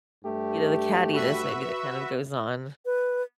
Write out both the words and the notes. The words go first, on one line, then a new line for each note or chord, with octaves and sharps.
you know, the cattiness, maybe, that kind of goes on.
G2 A3 G4
F#4 B4 E5
B4